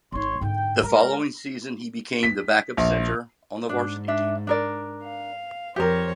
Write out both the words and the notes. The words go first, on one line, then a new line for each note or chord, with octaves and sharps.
The following season he became the backup center on the varsity team.
G#1 D#4 C#5 C6
G#2 D3 G5
G#3 A#4
B6
A#1
G#2 D4
D4 E5
D4 A#4 D5
F5
F2 G4 A#4 C5 C#5